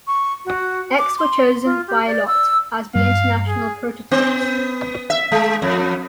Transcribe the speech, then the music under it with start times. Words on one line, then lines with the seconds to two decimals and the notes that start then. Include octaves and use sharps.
X were chosen by lot as the international prototypes.
0.07 C#6
0.45 F#4
0.99 D6
1.18 C6
1.65 F4
1.88 G4
2.07 D5
2.27 E6
2.95 G2 F5
3.48 G#4
4.11 B3
5.10 E5
5.32 G#3
5.62 F2